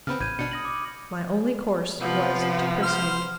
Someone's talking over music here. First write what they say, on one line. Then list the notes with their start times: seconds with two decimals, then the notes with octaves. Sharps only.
My only course was to proceed.
0.07 C#3 B3 C4 B5 F6
0.21 A1 G6 G#6 D#7
0.39 B2 D4 C#7
0.51 D#6 A#6 F#7
0.65 D6
2.00 C3 F3 B3
2.83 C5 F6